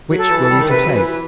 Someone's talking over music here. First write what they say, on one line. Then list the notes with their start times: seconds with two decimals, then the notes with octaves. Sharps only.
Which were we to take?
0.11 F#3
0.17 A4
0.30 E3
0.44 A4
0.50 G3
0.59 D#3
0.69 C3 B4
0.87 F#3
0.95 E3 B4